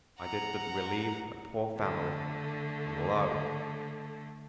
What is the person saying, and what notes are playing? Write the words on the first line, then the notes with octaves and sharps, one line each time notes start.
I did but relieve a poor family; and lo!
F#5 A#5
D3 A3